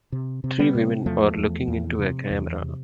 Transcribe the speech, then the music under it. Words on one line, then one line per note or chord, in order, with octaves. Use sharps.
Three women are looking into a camera.
C3
C3
G3 B3
C3
E2 F3 A3
E2
E2
C3
E2
C3